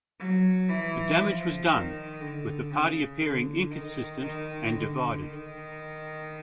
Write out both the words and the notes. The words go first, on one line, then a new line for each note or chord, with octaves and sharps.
The damage was done, with the party appearing inconsistent and divided.
F#3
E3
F3
D#3
D3
C#3
D3
D#3
D#3
D3
D#3